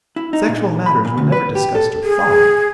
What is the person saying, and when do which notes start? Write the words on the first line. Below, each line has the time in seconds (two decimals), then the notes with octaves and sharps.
Sexual matters were never discussed or thought of.
0.16 E4
0.33 D#4
0.49 A#2
0.86 B5
1.05 A#2
1.18 D2
1.32 B4
1.55 G4
1.75 A4
2.04 G#4